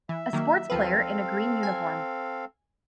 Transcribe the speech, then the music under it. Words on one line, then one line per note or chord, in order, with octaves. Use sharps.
A sports player in a green uniform.
E3 E5
D#3 F#3 A#3
D#2 F3 C4 A4 B4 F5
G#5